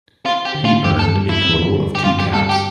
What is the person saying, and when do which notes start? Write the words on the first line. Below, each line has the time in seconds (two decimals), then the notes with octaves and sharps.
He earned a total of two caps.
0.25 C4 F4
0.45 G4
0.55 D3
0.65 F4
0.84 G2 G4
0.99 A4
1.15 G3
1.29 E4
1.45 C4
1.74 D3
1.95 G4
2.04 G2 F4
2.20 G4
2.34 G3 A4
2.49 G4